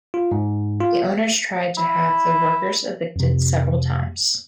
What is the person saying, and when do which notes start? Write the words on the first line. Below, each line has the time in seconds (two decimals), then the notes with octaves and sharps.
The owners tried to have the workers evicted several times.
0.14 F4
0.32 G#2
0.80 F4
1.78 E4
3.16 F2 C3